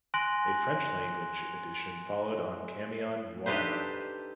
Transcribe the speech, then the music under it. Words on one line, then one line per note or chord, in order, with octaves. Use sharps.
A French language edition followed on Camion Noir.
G#5 C6 F#6 A#6 D7 F#7
D4 D#4 G4 A4 B4 C5